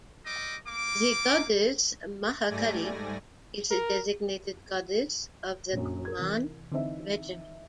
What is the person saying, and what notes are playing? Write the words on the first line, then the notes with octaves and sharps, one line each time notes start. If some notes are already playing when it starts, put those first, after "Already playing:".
The goddess Mahakali is the designated goddess of the Kumaun Regiment.
G3 D#5 D6
A#3 D6
G#2 G3 A3 D5 G#5 A#6
A#4
A#1 F#2
A#4 G#6
C3 E3
D3 E3 C4 D#4 E5